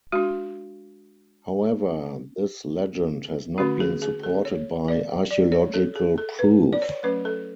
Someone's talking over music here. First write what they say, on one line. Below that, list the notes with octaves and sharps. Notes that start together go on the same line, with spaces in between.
However, this legend has not been supported by archaeological proof.
G#3 D4 F#4
D3 A3 C#4 F#4
G#4
G#4
A4
C#5
D5
D5
C#5
A4
G#4
A4
B4
D5
C#5
F#3 A3 C#4 B4
A4